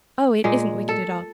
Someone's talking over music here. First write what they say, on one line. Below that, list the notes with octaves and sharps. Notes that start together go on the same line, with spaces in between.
Oh, it isn't wicked at all.
A#2 G#3
A4